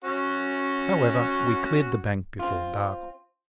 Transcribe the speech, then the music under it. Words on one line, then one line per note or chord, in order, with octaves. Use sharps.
However, we cleared the bank before dark.
C#4 F#4
C4 F4